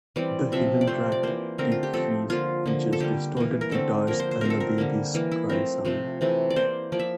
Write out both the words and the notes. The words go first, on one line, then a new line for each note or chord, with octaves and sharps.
The hidden track "Deep Freeze" features distorted guitars and a baby's cry sound.
E3 G3 C4 D5
C3 F3 C4 E5
D5
F3 A3 C4 C5
D5
E3 A#3 C5
D3 A3 C4 A#4
F4
G4
F3 A3 C4 A4
D3 F3 A#3 F4
D3 F3 A#3
A4
D3 G3 A#3 G4
E3 A#3
A#4
D3 A3 C4 A4
F3 A#3 A#4
C5
C5
D3 A3 C4 A#4
A4
A#4
D3 G3 A#3
E3 A#3
E4
F3 A3 C4 A#4
C3 F3 A3 C4
C3 E3 A3 C4
D5
E3 A#3 C5
F3 A#3 D5
E5